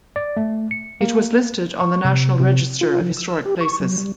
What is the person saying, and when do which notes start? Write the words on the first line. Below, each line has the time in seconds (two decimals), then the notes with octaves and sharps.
It was listed on the National Register of Historic Places.
0.16 D5
0.37 A3
0.71 C#7
1.01 A#3
1.80 C#6
2.05 C3
2.40 C3
2.81 F4
3.01 F3
3.17 E6
3.45 G4
3.61 C#6
3.80 F#3
3.98 G3